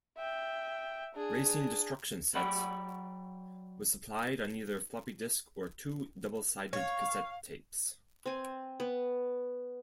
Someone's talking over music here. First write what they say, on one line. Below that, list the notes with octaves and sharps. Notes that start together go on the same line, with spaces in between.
"Racing Destruction Set" was supplied on either floppy disk or two double-sided cassette tapes.
E5 G5
D4 G#4
F#3 D5 F#5 G5 B5
C#5 F5
C4 G#5
B3